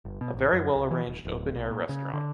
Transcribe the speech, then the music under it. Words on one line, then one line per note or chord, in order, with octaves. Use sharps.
A very well arranged open air restaurant.
G1
B2
A1
F#2
C#2
E3
D#1
D1
B1
A#2
C#3
D3